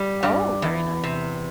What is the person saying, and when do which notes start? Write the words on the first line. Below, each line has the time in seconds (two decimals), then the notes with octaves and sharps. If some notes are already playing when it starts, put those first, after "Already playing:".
Oh, very nice.
Already playing: G3
0.23 G2
0.62 E2
1.03 C3